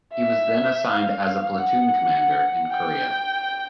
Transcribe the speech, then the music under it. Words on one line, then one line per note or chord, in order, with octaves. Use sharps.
He was then assigned as a platoon commander in Korea.
E5
F5
F#5
G5